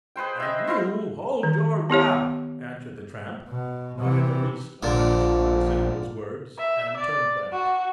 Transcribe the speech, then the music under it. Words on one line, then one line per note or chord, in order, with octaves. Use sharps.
"And you hold your row," answered the tramp, not in the least abashed by the sentinel's words, and turned back.
G#4 B4 C5 G5
D#5 E5
C4 E4 F5
D#3
B3 E4 G4 C#5
B2
C3 E3
A#1 A#2 D3 F3
E5
D5
F#4